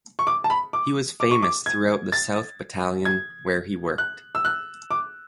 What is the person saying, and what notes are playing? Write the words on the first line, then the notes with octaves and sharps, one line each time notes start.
He was famous throughout the South Battalion where he worked.
C#6
D6
A5
B5
D6
D6
C#6
D6
G#6
A6
G#6
F#6
E6
F#6
D6